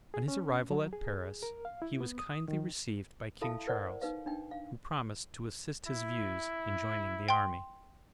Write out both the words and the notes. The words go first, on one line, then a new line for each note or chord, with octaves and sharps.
On his arrival at Paris, he was kindly received by King Charles, who promised to assist his views in joining the army.
G#4
C#4
F#3
G#4
A#4
F5
E4
B3
D#6
D#3
E4 A4 E5 F5 A5 B5
A#4 C5 D5 F#5
D#4 B4 F5
D4 D#4 G5
F5
E4
G5 C6